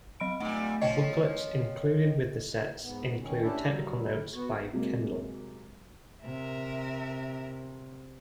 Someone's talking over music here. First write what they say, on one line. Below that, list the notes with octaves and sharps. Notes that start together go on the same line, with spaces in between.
Booklets included with the sets include Technical Notes by Kendall.
F#3 B5 D7
A#2 G3 A3
F3 C#4 C#5 D#5 G5
G#2 B3
D#3 C#4
C#4 D4 E4 G4 E5
F#3 G3
B3 F#4
C3 F#3 G#3 A#3
C3 A#4 E5